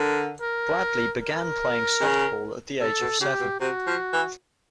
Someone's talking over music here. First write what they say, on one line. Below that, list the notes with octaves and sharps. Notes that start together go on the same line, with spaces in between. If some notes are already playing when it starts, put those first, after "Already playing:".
Bradley began playing softball at the age of seven.
Already playing: D3 A#4
A#4
A#4
C#3
C3 A4
B2
C#3 G4
B2
C3 F#4
F3
E3